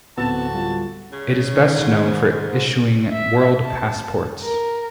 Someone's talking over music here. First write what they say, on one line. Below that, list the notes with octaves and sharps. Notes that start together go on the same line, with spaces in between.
It is best known for issuing World Passports.
D1 B3 C4 F#4 A5 E6
G3 F4
C#3 G3 C#4
G#2 D#3
E5
A5
A#4